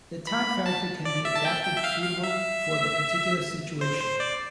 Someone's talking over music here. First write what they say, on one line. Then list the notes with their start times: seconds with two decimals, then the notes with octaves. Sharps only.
The time factor can be adapted suitable for the particular situation.
0.27 B5
0.66 A5
1.05 D5
1.25 E5
1.36 A5
1.45 G5
1.65 G5
1.77 E5
1.84 F5
2.03 F5
2.24 E5
3.81 C5
4.01 C5
4.20 D5